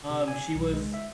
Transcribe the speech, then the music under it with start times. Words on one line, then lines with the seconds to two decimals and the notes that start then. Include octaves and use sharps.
um, she was
0.10 C3
0.28 G#5
0.55 B1
0.73 G#3
0.94 E5